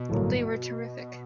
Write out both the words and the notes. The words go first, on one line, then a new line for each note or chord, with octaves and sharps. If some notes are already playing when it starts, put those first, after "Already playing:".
They were terrific.
Already playing: B2
A1 G2 D3 F#3 A#3